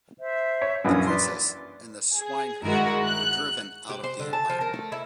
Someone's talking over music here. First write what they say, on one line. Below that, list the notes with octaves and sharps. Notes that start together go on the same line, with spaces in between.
The princess and the swineherd were driven out of the empire.
C5 E5
C#5
A#1 F#2 E3 C#4 D4 D#6
B4 D5 C6 D6
G#4
G2 D#3 G#3 E4 F#4 A#4
F#6
G4
C5
D3
A5
F3
A#4
A3
E4